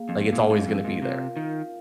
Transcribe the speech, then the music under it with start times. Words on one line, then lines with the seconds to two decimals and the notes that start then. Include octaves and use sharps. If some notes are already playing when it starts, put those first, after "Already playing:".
Like, it's always gonna be there.
Already playing: A#3 G#4 F5
0.09 F2
0.32 A#2 C4 G#4 F5
0.50 G#2
0.67 F2
0.84 G#2
1.02 C3 F4 A#4 F5
1.36 D#3